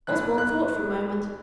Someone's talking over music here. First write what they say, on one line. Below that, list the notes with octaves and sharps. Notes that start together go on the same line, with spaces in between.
Osborne thought for a moment.
B1 A2 E3 F#6
F#6